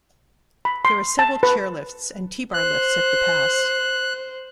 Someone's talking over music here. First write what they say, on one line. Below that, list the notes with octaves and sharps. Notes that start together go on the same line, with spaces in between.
There are several chairlifts and T-bar lifts at the pass.
B5
C6
A5
B4
C5 F#6